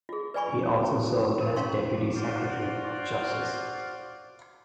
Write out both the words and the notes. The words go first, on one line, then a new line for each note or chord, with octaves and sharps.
He also served as Deputy Secretary of Justice.
F4 G#4
B4 D5 G#5 B5 C#6
A#4
C#4 F5 G5 C6 C#6
F4 F#4 C5 D5